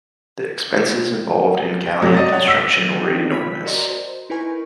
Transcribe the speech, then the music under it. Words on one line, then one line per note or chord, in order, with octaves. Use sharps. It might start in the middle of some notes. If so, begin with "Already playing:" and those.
The expenses involved in galleon construction were enormous.
G5
C3 F#3
D5 D#5 A6
C#5 F#5
E6
F#3
D#3 C4 D4 D#4 F4
C#5 B5 E6 B6
F#4 A#4 D5 D#5 A#5 C6
C5
D#4 E4 A#4 B4 G#5 C#6